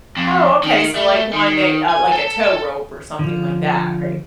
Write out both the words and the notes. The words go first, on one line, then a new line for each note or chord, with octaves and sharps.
Oh, okay, so, like, one that uh, like, a tow rope or something like that, right?
F2
D#3
A3
D#3
G#5
A4
D3 F3